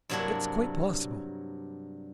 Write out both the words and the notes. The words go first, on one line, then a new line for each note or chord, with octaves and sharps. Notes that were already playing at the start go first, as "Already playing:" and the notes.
"It's quite possible."
G2 C3 F#3 A#3 D4 E4